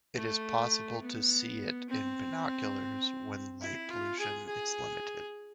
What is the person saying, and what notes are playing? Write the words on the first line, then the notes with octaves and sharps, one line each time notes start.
It is possible to see it in binoculars when light pollution is limited.
A3
B3
C4
E4
F4
G#4
G#4